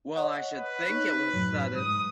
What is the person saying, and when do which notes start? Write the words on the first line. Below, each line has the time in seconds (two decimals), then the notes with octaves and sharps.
Well I should think it was sudden!
0.16 C#5 D#5 F#5
0.54 B4
0.89 D#4 C#5
1.33 F#2 A2 F#3
1.76 G#2 D#6